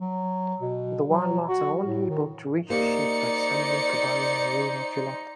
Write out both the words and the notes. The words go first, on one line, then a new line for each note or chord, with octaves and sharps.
The warlocks are only able to reach the ship by summoning "caballo marino chilote".
F#3
B2
F#3
F#4
A2
D#3
A#3 D#4 G4 C5 D5 C#7